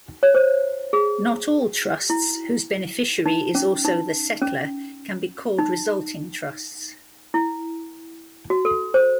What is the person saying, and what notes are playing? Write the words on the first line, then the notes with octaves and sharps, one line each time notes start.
Not all trusts whose beneficiary is also the settlor can be called resulting trusts.
C#5
C5
G#4
E4
D#4
C#4
D#4
C#4
D#4
E4
F#4
A4
C5